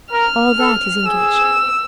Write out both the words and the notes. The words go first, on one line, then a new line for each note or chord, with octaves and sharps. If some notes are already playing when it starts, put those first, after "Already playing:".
"All that is engaged."
A#4 F6
A4
G#4 E6